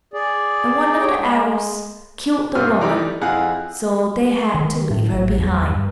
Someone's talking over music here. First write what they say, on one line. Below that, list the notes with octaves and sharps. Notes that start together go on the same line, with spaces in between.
And one of the arrows killed the woman, so they had to leave her behind.
G#4 D5
G4 C#5 G5
G#3
G2 C3 F4 E6 F6
D#4 E4 G4 A4 D5 A#5
F2 E4 G#4 F5 F#5 F#6
D#3
A2
A1
E2
G2